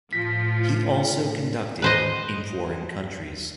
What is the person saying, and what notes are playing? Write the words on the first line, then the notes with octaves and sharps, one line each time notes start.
He also conducted in foreign countries.
A2 F3 F4 A#6 B6
B4 C5 D#5